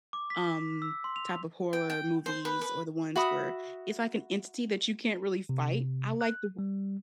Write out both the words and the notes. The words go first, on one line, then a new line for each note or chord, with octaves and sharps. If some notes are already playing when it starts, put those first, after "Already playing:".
um, type of horror movies or the ones where it's like an entity that you can't really fight, I like the o
D6
B6
E6
C6
F7
G5
G5
C5
B4
B4
F#4 E5 B5 D#6
C3
F#6
G3